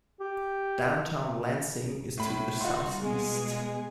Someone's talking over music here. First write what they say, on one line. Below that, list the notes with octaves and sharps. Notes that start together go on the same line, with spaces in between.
Downtown Lansing is to the southeast.
G4
A2 B5
G3 D#4 F4 F#4 C6
B2 G#3 G#4